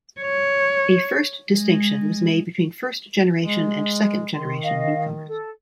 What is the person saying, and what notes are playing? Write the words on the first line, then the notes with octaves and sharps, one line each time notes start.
A first distinction was made between first-generation and second-generation newcomers.
C#5
G#3
G#3
D#3 C6
D#5 F5
A4